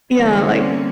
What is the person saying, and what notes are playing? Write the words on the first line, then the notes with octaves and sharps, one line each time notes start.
yeah, like
D3 E3 G3 A#3 C4 C#4